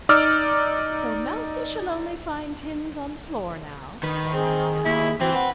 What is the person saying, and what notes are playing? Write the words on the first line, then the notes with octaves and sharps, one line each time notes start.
"So mousie shall only find tins on the floor now," thought Miss Mapp.
D#4 D5 D6 E6 F6
D#3 B4
C4 G#4
D#2 E4
E3 C4 F#4
B4 F#5